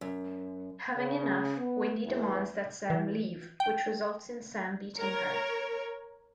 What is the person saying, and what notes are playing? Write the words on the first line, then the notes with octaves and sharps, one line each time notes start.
Having enough, Wendy demands that Sam leave, which results In Sam beating her.
F#2
C#3
B3
E2
E3
G5
A#4 C#5